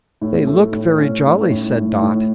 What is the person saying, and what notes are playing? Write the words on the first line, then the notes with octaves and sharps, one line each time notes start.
"They look very jolly," said Dot.
A2
A3
A2
C#4
A2
A2
A2
A2